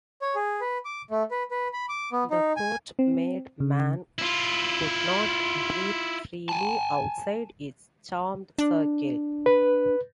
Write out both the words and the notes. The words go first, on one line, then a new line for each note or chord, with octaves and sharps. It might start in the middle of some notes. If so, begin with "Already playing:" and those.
The court-made man could not breathe freely outside its charmed circle.
C#5
G#4
B4
D6
A3
B4
B4
B5
D6
B3
D#4
G#5
C4
C#3
E4 F4
G#5 A5
D4
B4